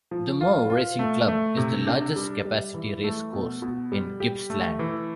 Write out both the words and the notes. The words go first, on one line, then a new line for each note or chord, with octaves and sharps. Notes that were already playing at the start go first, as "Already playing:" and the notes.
The Moe Racing Club is the largest capacity racecourse in Gippsland.
F3
F4
F4
A3
A3
C3
D4
G3
G3
E3
A3
B2
B2
G3
G4
A3
E3